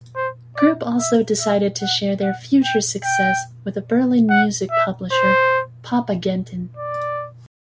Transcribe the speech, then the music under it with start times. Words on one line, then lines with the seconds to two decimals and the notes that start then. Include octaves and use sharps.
Group also decided to share their future success with a Berlin music publisher "Popagenten".
0.16 C5
0.57 D5
0.99 E5
1.40 E5
1.81 F#5
2.22 F#5
2.64 G5
3.04 G5
4.30 F#5
4.71 E5
5.12 C5
6.77 D5